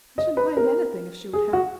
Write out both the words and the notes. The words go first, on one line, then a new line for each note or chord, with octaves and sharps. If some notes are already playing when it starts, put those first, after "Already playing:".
I shouldn't mind anything if she would have me.
D#5
B4
A#4
G#4
F#4